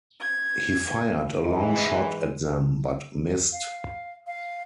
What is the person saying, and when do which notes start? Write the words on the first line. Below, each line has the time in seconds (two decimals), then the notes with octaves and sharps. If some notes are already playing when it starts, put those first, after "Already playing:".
He fired a long shot at them but missed.
0.19 G#6
1.45 G#2 E3 D#5
3.52 F5
4.27 F5